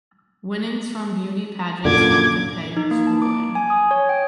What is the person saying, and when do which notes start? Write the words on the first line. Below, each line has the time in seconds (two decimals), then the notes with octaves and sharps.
Winnings from beauty pageants helped to pay her schooling.
1.85 F#2 A#2 D3 D6 G#6
2.77 D#4
2.91 A#3
3.07 A5
3.22 D6
3.55 G#5
3.70 D#6
3.91 C#5
4.09 G5